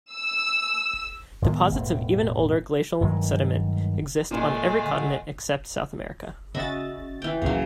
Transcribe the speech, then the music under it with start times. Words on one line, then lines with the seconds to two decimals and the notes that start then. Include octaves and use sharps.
Deposits of even older glacial sediment exist on every continent except South America.
0.11 E6
1.42 A2 D#3 G#3 B3
1.71 E1 A2
3.00 G2 D#3 F#3 G#3
4.31 A#2 G#3 A3
4.85 D3
6.54 C#3 F#4 D#5 E5 B5 A6
7.22 E3 G5
7.42 D2 A#2 C#3 F#3